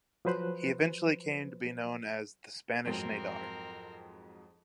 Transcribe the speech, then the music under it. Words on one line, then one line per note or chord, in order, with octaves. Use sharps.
He eventually came to be known as the "Spanish Nadar".
F3 F#3 B4 C5 F#6
F2 G#2 F#3 C4 A#4